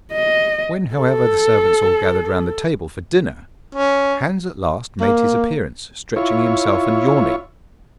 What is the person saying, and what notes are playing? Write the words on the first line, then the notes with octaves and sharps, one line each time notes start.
When, however, the servants all gathered round the table for dinner, Hans at last made his appearance stretching himself and yawning.
D#5
A4
C#4
A#3
E4 F4 C#5